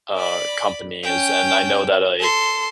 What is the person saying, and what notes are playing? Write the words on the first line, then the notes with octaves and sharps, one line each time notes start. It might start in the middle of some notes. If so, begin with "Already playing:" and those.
uh, companies and I know that a,
D5 B5
C#4 G5
A4 C6